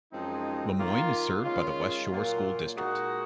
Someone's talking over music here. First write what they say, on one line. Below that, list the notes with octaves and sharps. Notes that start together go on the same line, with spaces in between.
Lemoyne is served by the West Shore School District.
F#2 F3 G#3 C4 D#4
D#3 A#3 F4
D#3 G#3 C#4 F4
A#2 F#3 A#3 F4
A#2 G#3 D#4 F#4